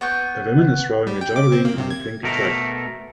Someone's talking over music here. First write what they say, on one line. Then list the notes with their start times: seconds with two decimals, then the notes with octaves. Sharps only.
A woman is throwing a javelin on a pink track.
0.01 B3 C#6 G6
1.07 G3
1.21 G5
1.36 D6
1.52 C4
1.65 A#3
1.78 C3
1.90 G#6
2.23 B2 A3 A#4